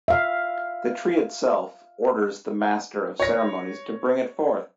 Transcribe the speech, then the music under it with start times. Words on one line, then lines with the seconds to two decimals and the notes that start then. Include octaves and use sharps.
The tree itself orders the master of ceremonies to bring it forth.
0.08 E5 F5
3.20 C#5 A#6